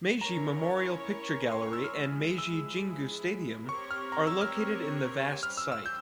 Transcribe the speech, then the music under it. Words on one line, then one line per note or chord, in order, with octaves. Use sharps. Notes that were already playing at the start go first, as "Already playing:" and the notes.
Meiji Memorial Picture Gallery and Meiji Jingu Stadium are located in the vast site.
C#4 E4 A#4 C#5 A#5
C6
C#6
E6
F6
F3 G#3 E4 G#4
E6
C4 G4 A#4 C#5 C#6
F6
A#5
E6
F6
G3 C#4 G4 C5 F6
E6
E6
G6